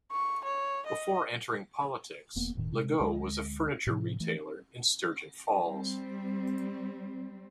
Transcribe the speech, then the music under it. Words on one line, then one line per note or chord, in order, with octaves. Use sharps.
Before entering politics, Legault was a furniture retailer in Sturgeon Falls.
C#6
C#5
D#5
E1 A#3 B3
E1 A2 D#3
C3 G#3
D2 G#3
A2 C3 F3
E3 A3
G3 C4